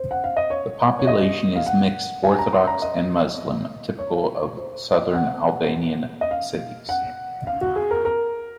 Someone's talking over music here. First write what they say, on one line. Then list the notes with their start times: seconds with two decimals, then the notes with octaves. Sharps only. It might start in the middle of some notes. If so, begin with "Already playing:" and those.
The population is mixed Orthodox and Muslim, typical of southern Albanian cities.
Already playing: C5
0.11 F#5
0.24 F5
0.37 D#5
0.50 C#5
0.99 C#5
1.07 D#5
1.56 F5
1.66 F#5
2.23 G#5
2.39 A#5
2.53 C6
2.67 A#5
2.82 D#5
3.99 C#5
4.56 C5
4.95 D#5
5.15 F#5
6.21 D#5
6.31 F5
6.89 F#5
7.47 F5
7.61 F#4
7.76 G#4
7.91 A#4
8.05 A#4